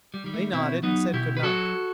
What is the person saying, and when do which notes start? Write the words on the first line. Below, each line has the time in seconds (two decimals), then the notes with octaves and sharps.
They nodded and said good-night.
0.14 G3
0.24 D#3 G3
0.34 A3
0.53 B2 C4 E4
0.83 F#3 B3 D#4
1.13 B2 E4 G4
1.37 B4
1.43 F#3 F#4 A4